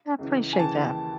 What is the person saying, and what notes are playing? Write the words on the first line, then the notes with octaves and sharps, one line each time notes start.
I appreciate that.
C#2 C#3 E3
G#5
D#2 C#3 E3 A5